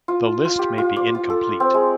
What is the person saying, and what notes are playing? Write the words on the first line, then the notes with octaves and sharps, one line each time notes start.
The list may be incomplete.
F4
F4
G4
F4
D5
F4
A4
C4
G#3